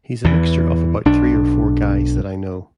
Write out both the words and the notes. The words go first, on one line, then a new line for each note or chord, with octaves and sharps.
He's a mixture of about three or four guys that I know...
E2 E3
B1 D4